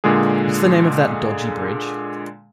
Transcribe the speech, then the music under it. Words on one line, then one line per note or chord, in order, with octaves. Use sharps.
What's the name of that dodgy bridge?
A#2 D3 G#3 G#4